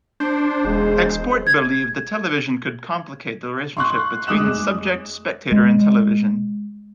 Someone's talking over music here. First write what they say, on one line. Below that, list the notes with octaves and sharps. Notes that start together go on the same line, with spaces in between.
Export believed the television could complicate the relationship between subject, spectator, and television.
D4 C5
E1 G#3
G#6
C6 C#6 F#6
F1 G#3 D6 D#6 F#6 E7
G#3